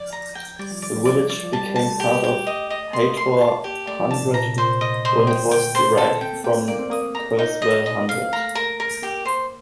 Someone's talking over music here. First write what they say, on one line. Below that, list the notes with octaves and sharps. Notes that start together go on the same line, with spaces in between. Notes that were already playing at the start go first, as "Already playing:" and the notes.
The village became part of Haytor Hundred when it was derived from Kerswell Hundred.
Already playing: F3 D5
A#5
G5
G3 D5
F3
D#3 D5
F3
D5
D5
F3
G3 A5
G3
A5
A3
G4
G4
D#5
D#5
A#3 C6
A3
A#3
C6
A5
G4
A3 D5
F3
D#3 A5
A#2
A#2 A#5
C3
A#2 C5
D#5
C5
C3
A#2 G5
D3
D#3
A3 G5
A#3
C5
A4
C4 G5
A#3
A#3 G5
A3
A#3 D5
C4
A#3 D#6
A#5
D#4
D#5
D#5
A3 F5
A#3
A3 A#5
A#4
A#4
A#3 G4
C5